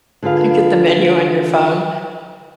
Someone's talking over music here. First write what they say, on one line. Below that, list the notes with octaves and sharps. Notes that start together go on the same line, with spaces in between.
get the menu on your phone.
D3 F4 G#4 B4 F5